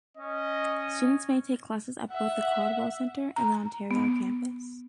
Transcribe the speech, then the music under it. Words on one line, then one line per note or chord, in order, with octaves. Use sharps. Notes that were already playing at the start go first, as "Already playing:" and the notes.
Students may take classes at both the Caldwell Center and the Ontario campus.
C#4 D#5
E5 F#5
A#5
B3